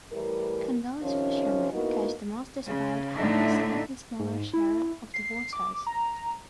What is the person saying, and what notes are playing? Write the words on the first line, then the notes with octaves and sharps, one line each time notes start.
Congolese fishermen catch the most despite have the slightly smaller share of the waters.
A2 E3 G3 A#4
C3 D#3 F3 C#4
A#3 B3 D#4 E4 F#4 B4
C#3
A2 D3 A3 D4 D#4 E5
G#2
E4
C7
D6
A#5